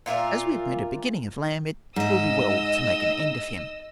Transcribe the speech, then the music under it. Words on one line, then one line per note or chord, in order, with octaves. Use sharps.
As we have made a beginning of Lamb, it will be well to make an end of him.
A#2 F4 A#4 E5
G#2 D#5 E5 E6